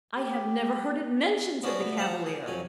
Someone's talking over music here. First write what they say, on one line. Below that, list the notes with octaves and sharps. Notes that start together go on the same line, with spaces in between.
"I have never heard it mentioned," said the Cavalier.
G4
B3 C#4 D4 F#4 G#4 C5
D2 B3
C5 F5 F#5 A5 A#5
G#4
F2 F#3 G#5